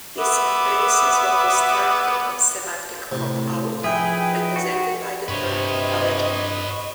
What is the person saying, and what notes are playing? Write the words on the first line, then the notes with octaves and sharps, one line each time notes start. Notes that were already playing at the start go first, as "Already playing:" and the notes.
This embraces what is termed a "semantic cop-out", represented by the term "allegedly".
B3 E5 D6
A2 C3
F3 D#4 G#4 B4 E5 G5
F#4
G2 C3 B4 C#5 D#5